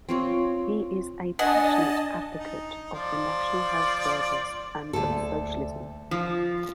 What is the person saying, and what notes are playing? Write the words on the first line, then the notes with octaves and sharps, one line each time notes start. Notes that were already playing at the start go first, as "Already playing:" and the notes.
He is a passionate advocate of the National Health Service and of socialism.
C4 F4 C#5
D4 D#5 F#5 G#5 A5
D#4
F3 D5
D2 A4
F3